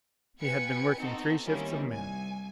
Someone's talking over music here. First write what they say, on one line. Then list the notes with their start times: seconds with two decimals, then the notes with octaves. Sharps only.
He had been working three shifts of men.
0.41 F4 B4 G5 G#5 G#6 C#7
0.99 B3 C4 D#4 F#4 A4
1.45 D#3 G3 A#3 C4 C#4 E4
1.90 C2 G#5